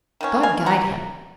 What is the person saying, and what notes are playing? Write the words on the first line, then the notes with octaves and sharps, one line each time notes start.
God guide him!...
D#3 A#3 C#4
F5 G#5
F#5 A#5